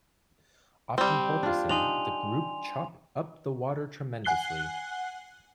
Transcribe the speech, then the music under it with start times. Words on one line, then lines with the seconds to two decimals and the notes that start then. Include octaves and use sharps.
Often porpoising, the group chop up the water tremendously.
0.98 G3 C4
1.43 D4 F4
1.69 D4 D#4 G#5 C6 F7
4.24 F#5 G#5 F#6 C7 G7